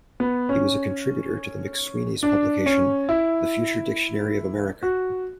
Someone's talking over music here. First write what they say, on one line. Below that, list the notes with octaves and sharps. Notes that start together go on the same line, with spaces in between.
He was a contributor to the McSweeney's publication "The Future Dictionary of America".
B3
C#4
D4
C#4
E4
F#4